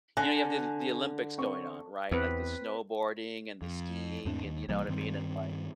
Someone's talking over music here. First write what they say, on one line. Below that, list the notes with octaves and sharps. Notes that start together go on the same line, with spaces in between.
you know, you have the the Olympics going on, right, like, the snowboarding, and the skiing, and, you know what I mean, and, like
D3 G#5 F#6 A#6
C4 C#6
E2 C4 B4
F2
E2 G#2 C4 D4
D#2
C2 E3 G3 A#3
G2 D#3 G3 C4